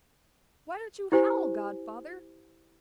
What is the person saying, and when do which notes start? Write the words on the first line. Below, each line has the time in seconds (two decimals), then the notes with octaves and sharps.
'Why don't you howl, godfather?
1.12 E4 G4 C5 G#5